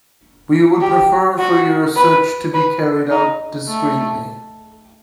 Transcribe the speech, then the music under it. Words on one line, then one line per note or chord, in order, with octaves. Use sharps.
We would prefer for your search to be carried out discreetly.
G4
F#4
B4
B4
D#4
A3